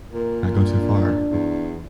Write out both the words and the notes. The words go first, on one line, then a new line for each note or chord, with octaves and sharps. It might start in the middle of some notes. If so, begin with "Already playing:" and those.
not go too far. Yeah.
A#2 A#4
D4
E2